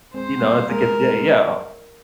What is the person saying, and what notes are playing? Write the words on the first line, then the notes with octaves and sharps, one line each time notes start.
you know? It's a like a d yeah, uh
G#3 C4 C5
G3 A#3
G#3 A#4
G#3
G#3